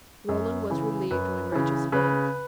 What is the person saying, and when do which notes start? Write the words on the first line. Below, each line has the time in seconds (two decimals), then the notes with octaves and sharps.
Rollin was relieved when Rachel spoke.
0.29 F#2
0.70 C#3 E3
1.11 F#2 B4
1.52 C#3 E3
1.92 C#3 B4